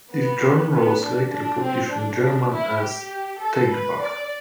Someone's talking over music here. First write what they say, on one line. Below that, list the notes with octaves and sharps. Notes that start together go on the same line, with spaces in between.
This journal was later published in German as "Tagebuch".
B3
B3
D4
D4
C4
D4
E4
G4
A4
B4
D5